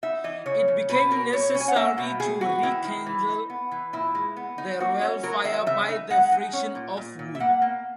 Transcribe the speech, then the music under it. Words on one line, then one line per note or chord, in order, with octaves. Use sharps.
It became necessary to rekindle the royal fire by the friction of wood.
D#4 E5
E3 D#5
C#3 C#5
C#3
B2 B4
B2 A#4
B2 C#5
C#4
G#5
F#5
A#3 E5
B2
D#3 G#4
B3 F#4
D#3 E4
D#3
E3
D#4
B3
E3
A#2 E4
G#3
B3
D#4
A#3 F#4
C#4
F#3 A#4
D#3 E5
C#3 E5
D#4
G#3 F#5
D#4
C#4
A#2
A#2
A#2
E5
A#3 F#5
A#3